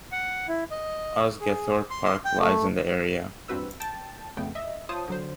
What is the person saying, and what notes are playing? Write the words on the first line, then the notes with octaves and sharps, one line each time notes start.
Osgathorpe Park lies in the area.
F#5
E4
D#5
G#4
C6
C6
G5
A3
E2 G2 C4 F#4 B4 E6
G5 A5 A6
F2 C#3 A3 B3 G5
D#5 E5
F4 C5 C#5 A5 D#6
D3 F#3 C5